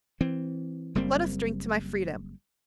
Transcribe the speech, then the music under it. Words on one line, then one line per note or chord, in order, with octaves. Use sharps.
Let us drink to my freedom.
E3 C4
F#1 G3 A#3 C4